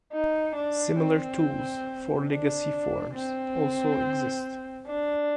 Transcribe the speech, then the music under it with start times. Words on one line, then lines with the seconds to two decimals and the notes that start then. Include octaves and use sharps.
Similar tools for legacy forms also exist.
0.12 D#4
0.55 D4
0.98 C4
2.28 D4
3.14 C4
4.87 D4